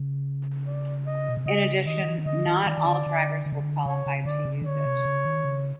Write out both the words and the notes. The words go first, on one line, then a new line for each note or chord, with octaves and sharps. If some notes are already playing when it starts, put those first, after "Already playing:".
In addition, not all drivers were qualified to use it.
Already playing: C#3
D5
D#5
B2
C3
C#3 D#5
D#3 D#5
E3
D#3
D3 D#5
D#3
D#3 D5
D#3
D3
D3
D3
C#3
D3
C#3 C#5
C#3
D3 D5
C#3
D#3
D3 C#5
C3
C#3
D#3
C#3